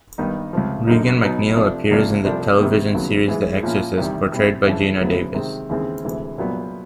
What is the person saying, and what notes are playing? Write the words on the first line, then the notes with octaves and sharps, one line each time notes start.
Regan MacNeil appears in the television series "The Exorcist" portrayed by Geena Davis.
G2 D#3 G3 B3 D#4
C#2 C3 F3
F#2 D3 F#3 A#3 D#4
B2 F#3 B3 D#4
C3 F3 A3 D4
C#2 C3 F3 A#3 D4
C2 C3 F3 A3 D4
C3 D#3 G3 A#3
D#2 C#3 F#3 B3
G#2 E3 G#3
A#2 F3 A#3 C#4 E4
E2 C3 D#3 G3
B2 G3 C4 E4
F2 C#3 E3
D2 C#3 F#3 B3 E4
C3 D#3 G#3 C4
D#2 C#3 E3 G#3 C4
D2 C3 E3 G#3
C2 A#2 F#3 B3 D4